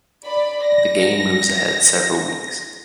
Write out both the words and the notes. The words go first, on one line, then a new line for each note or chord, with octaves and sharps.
The game moves ahead several weeks.
D5 B5
A#6